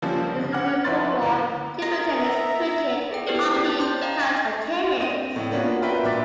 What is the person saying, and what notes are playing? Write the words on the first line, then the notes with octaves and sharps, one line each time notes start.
These include football, table tennis, cricket, hockey, touch and tennis.
D3 F3 G3 A#3 C4 C#4
F#1
F#5 D6 F6 G#6
F2 E4 B4 C#5 C6 A6
D2 A2
A#4 D#5
E5 A#5
G#4 A4 G5
B3 E4 G4 B4 C5 D5
C#4 D5 G5 A5 C7
A6
C5 C6 G6
D#5 F5 G5 A#5
C4 D4 D#5 D#7
A2
A#3 B3 C#4 D4 F4 F#4
F4 F#4 A#4 B4 E5 G5
A#2 D4 B4 E5 D6 A6